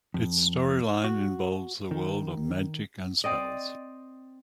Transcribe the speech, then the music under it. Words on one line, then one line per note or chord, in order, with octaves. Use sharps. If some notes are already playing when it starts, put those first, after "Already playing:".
Its storyline involves the world of magic and spells.
F2
F#4
D#3
C4 D5 D#5